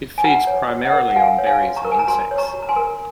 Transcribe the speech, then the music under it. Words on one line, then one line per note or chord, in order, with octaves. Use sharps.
It feeds primarily on berries and insects.
G#5
F#4 F#5 A#5
C#5
F#4
D#5 F#5
A#4
F#5
F#4 F5 G#5
C#5
F5 G#5
F#4
A#5 C#6
A#4
G#5
A#5
F#4 G#5 C6
C#5
A#5 C#6
F#4
A#5
G#5 C6
A#4